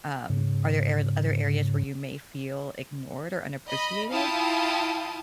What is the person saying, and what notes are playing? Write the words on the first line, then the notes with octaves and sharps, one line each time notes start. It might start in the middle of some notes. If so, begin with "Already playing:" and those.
Um, are there ar other areas where you may feel ignored or unappreciated?
G#2 C#3
D#5 B5
E4 F4 F5 G5 A5 D#6